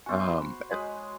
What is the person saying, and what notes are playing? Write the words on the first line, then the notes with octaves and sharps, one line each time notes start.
Um, and
B3 F#4 C5 G#5
B5
G#3 F#4 G#4 C#5 G#5